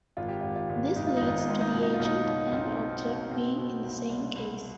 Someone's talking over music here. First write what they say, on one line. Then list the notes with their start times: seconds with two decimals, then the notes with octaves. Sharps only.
This leads to the agent and object being in the same case.
0.17 G#1 F4
0.28 G4
0.41 G#1 F4
0.56 F4
0.69 G#1
0.96 G#1 D#4
1.07 F4
1.17 G#1 D#4
1.28 F4
1.38 D#4
1.48 G#2 F4
1.61 D#4
1.71 B2 F4
1.83 D#4
1.94 F4
2.00 B1
2.05 D#4
2.26 B1
2.52 B1 C4
2.78 B2
3.05 B2
3.31 B2 C4
3.58 B2
3.84 C2
4.10 C2
4.36 C2